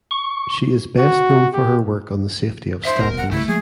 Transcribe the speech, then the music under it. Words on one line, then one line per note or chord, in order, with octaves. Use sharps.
She is best known for her work on the safety of statins.
C#6
F#4
G4
D#4 C5 E5
D#1 C2 B2 A#4
F#5
C2 C#3 G3 A3 E4
F3 G#3 A#3 G#4